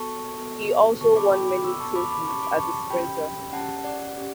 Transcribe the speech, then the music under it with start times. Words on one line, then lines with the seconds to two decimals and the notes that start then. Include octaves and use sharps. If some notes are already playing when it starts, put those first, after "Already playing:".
He also won many trophies as a sprinter.
Already playing: B3 F#4 A4 A5 C#6
0.38 B3 F#4 A4
1.01 B3 F#4 A4 A5 C#6
1.16 B5 D6
1.32 G5 B5
1.48 B5 D6
1.64 B3 F#4 A4 C#6 E6
1.80 A5 C#6
1.95 B5 D6
2.11 B5 D6
2.27 C#4 G4 A5 C#6
2.43 B5 D6
2.59 A5 C#6
2.90 C#4 G4 G5 B5
3.53 C#4 G4 F#5 A5
3.84 D5 F#5
4.17 C#4 G4